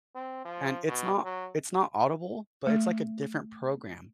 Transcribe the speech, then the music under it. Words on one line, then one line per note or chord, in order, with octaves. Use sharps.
And it's not it's not Audible, but it's, like, a different program,
C4
F3
B2
F#3
A3